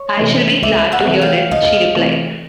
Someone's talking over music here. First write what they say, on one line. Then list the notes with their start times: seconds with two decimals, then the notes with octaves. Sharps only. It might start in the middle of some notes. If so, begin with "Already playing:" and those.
"I shall be glad to hear it," she replied.
Already playing: C#5
0.18 C3 E3 A3
0.62 C#2 D5 E5
0.92 E5 F#5
1.07 C3 E3 A3
1.22 F5 G5
1.51 C#2 D#5 F5
1.96 C3 E3 A3